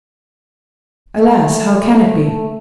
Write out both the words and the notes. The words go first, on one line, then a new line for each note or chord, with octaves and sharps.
Alas, how can it be?
A3